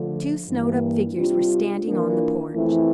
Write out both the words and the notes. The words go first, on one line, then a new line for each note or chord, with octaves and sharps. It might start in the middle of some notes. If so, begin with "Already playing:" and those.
Two snowed-up figures were standing on the porch.
Already playing: D3 F3 A3
G2 E3 A#3
C3 G3 D4 F4
E3 A#3 D4 F4
F2 E3 A3 C4 E4